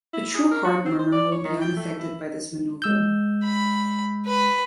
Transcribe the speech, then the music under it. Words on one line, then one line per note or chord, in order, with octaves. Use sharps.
A true heart murmur will be unaffected by this manoever.
E4
G#4
A#4
F#4
C4
C5
D5
C#5
D#3
G5
A3
E4
G#3 E6 G6
B5
B4 B5